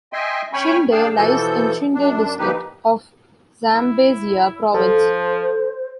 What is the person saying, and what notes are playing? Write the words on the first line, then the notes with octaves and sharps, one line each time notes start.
Chinde lies in Chinde District of Zambezia Province.
D#5 E5 G5 G#5 C6
C#4 C#5 G5 G#5 B5 C#6
D4 G#4 F5 G5 A5
B2 E3 F3 A4 G6
F#2 D4
D3 F3 A#3 D#4 G4 B4
E4
F3 A4 C5